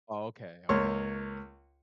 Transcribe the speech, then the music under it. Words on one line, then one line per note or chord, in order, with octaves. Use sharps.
Oh, okay, okay.
C#2 A#3 C#5 C6 C#6